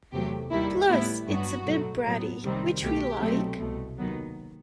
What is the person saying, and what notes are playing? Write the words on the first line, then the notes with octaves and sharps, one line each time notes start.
Plus it's a bit bratty, which we like!
E2 C3 F#3 A3 G4
D#2 D#3 G3 E4
A2 G3 B3 E4
G2 F#3 B3 F#4
B2 F#3 A3
A2 F#3 B3
C2 C3 D#3 G3 C4
C2 B2 A3 G4
B2 F#3 A3 C4
C2 B2 A3
D#2 D#3 F#3 B3